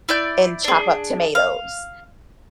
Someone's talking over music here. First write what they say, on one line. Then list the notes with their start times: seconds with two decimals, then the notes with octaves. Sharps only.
and chop up tomatoes,
0.09 E4 D5 G6
0.64 D4 G#4
1.35 F5